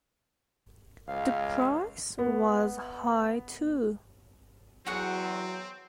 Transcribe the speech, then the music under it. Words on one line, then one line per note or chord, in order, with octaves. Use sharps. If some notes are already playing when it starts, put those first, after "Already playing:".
The price was high too.
C#2 F5
B3
E2 F#3 C4 F#4 G#4 F#5